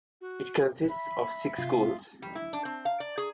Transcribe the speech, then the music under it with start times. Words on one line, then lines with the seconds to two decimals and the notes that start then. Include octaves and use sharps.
It consists of six schools.
0.21 F#4
0.89 E5 B5
1.58 C3 F4
2.22 G3
2.35 E4
2.53 D4
2.65 C4
2.85 F5
3.00 D5
3.18 G#4